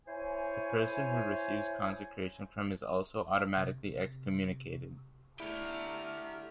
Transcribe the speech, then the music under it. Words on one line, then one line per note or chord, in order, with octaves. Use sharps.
The person who receives consecration from him is also automatically excommunicated.
E4 C5 C#5 G#5
C3
D3 A3 E4 G4 D5 A#5 F6